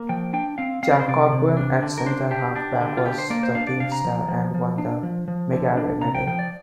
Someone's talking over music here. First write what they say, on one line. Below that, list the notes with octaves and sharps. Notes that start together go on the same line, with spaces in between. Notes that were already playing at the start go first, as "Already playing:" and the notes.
Jack Cockburn at centre half-back was the team's star and won the Magarey Medal.
Already playing: A#3
F3 G5
D4 G5
C4 F5
C4 F5
D5
C5
C3 D5
C3
D4
D3
A#4
D4 C5
D4 G4
D4
D3
F4
D3 G4
C5
A#3 D5
C5
D4 F5
D5
C3 F5
A#5
F3
F3
F3
D4
F3
F3
D3
D4
C3 A#5
G5
F3 G5
D5